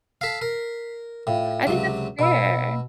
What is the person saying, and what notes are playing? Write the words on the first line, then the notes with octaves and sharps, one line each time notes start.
I think that's fair.
A4 F5 B6 C7
A#4
A2 F4 F5 G5
C#2 C3 F#3
B2 D#5 B5 E6